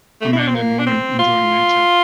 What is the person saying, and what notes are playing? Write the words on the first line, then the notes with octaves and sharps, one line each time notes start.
A man and a woman enjoying nature.
A3
E4
D4
C4
A#3
D4
C4
F4